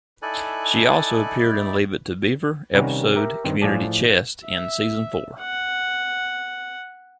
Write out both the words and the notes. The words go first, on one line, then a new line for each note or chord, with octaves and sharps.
She also appeared in "Leave It To Beaver" episode "Community Chest" in season four.
D#4 E4 A4 D5 G#5 F#6
C3 D#3 G3 C#4 F#5 A#5
G4 A#4 E5
G2 D#3 C4
A2 F3 G#4 D5 A5
E5
F#5